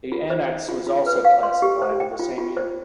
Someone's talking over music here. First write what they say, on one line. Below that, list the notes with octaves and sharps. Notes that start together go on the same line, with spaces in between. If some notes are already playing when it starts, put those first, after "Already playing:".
The annex was also classified the same year.
F4
C5
E5
F4
F4
B4
F5
C6
G4
C5
G5
F4
F4
C5